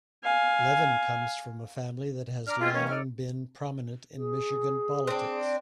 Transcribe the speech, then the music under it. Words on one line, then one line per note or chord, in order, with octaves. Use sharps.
Levin comes from a family that has long been prominent in Michigan politics.
F5 G#5
D4 A#5 D6 F6
G#3 A#3 C4 C#4 F4
D#3 E3 A#3 C#4
D#4 A4 C#5 D5 D6 F6
G#4
C4 D4